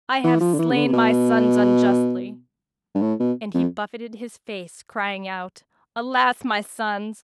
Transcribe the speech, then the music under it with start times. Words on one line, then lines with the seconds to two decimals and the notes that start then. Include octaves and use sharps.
I have slain my sons unjustly." And he buffeted his face, crying out, "Alas, my sons!
0.24 E3
0.40 F3
0.54 D3
0.59 E3
0.71 C3
0.76 D3
0.86 C3
0.93 B2
2.95 G2
3.02 A2
3.20 B2
3.54 F2